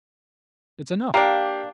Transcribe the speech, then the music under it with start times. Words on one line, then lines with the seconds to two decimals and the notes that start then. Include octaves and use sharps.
It's enough.
1.14 A#3 D4 G4 F5 G5